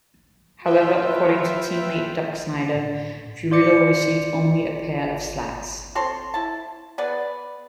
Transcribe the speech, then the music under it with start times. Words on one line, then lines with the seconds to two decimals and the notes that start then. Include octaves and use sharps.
However, according to teammate Duke Snider, Furillo received only a pair of slacks.
0.64 F4 B4 E5 G5
2.75 A2
3.51 F4 D5 D6 C#7
5.95 C4 A4 C#5 C6
6.34 E4 A5
6.98 B3 G#4 B4 D5